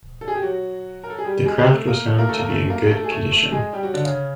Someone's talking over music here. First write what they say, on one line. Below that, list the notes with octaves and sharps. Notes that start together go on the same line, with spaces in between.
The craft was found to be in good condition.
A4
G#4
G4
F#3 F#4
A#4
A4
G#4
G3 G4
G#3 G#4
A3 A4
A#3 A#4
A3 A4
A#3 A#4
A3 A4
A#3 A#4
A3 A4
A#3 A#4
A3 A4
G#4
A3 A4
A3 A4
G#3 G#4
G3 G4
F#3 F#4
D3 D4
C#3 C#4